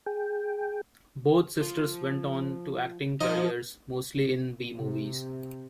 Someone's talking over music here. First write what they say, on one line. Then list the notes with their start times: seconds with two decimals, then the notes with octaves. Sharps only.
Both sisters went on to acting careers, mostly in B-movies.
0.06 G#4 G5
1.61 F3
3.21 F3 D#4 D#5 C6
4.75 C3